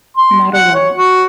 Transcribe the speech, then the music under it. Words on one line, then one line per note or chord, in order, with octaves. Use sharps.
Not a lot.
C6
F#5
C#5
F#4